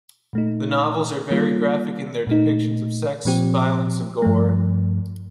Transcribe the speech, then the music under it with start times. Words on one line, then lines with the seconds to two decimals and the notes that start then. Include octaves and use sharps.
The novels are very graphic in their depictions of sex, violence and gore.
0.33 A#2 A3 D#4
1.31 D#3 G3 A#3 F4
2.27 A#2 A3 D#4
3.25 A#2 F3 C4 G4
4.22 G2 F3 A3